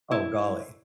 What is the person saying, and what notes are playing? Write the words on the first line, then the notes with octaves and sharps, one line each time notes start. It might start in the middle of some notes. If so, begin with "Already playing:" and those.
Oh, golly.
E4